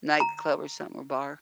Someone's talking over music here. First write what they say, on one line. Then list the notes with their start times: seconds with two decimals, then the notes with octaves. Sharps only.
nightclub or something or bar.
0.20 A#5